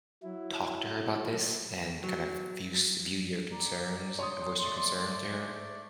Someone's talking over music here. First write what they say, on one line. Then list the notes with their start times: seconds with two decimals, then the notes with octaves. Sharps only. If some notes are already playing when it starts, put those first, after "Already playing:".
talked to her about this and kind of views viewed your concerns a voiced your concerns to her?
0.23 F#3 E4
2.04 F#3
3.51 D5 A#5
4.19 C#5 C6 D#6
4.62 A3 D5